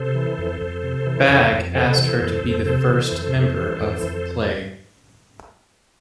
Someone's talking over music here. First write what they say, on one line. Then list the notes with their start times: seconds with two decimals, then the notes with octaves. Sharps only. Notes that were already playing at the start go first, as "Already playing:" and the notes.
Bagge asked her to be the first member of Play.
Already playing: C3 A4 C5
0.15 E3
0.38 F2
0.61 F2
0.84 C3
1.07 E3
1.29 F2
1.52 F2
1.74 C3 A4 C5
1.98 E3
2.21 F2
2.44 F2
2.66 C3 A4 C5
2.88 E3
3.12 F2
3.35 F2
3.57 E3
3.80 F2
4.03 F2